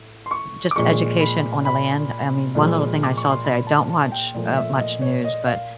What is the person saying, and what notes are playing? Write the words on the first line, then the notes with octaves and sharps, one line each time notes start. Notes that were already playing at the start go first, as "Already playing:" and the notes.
just education on the land. I mean, one little thing I saw today, I don't watch, uh, much news, but
Already playing: A2
C6
C#6
D6
A#2 F3 G#3 C#6
B5
B5
A#2 F3 G#3
D6
C#6
C6
B5
A5
A5
G5
A#2 F3 A3
E5
D#5
C#5
D#5
F5